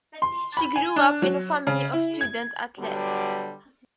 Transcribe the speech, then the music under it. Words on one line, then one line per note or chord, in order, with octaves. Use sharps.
She grew up in a family of student-athletes.
C6
B5
G#5
D4
F#3
C#3
E4
G#6
B2 D3 F#3 G3